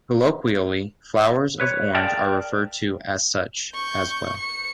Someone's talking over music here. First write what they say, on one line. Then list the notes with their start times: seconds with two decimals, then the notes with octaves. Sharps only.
Colloquially flowers of orange are referred to as such as well.
1.60 B4 C#5
1.95 G#4 A#4 D5 F5 G5 A5
3.74 C#6 G6
4.38 C#7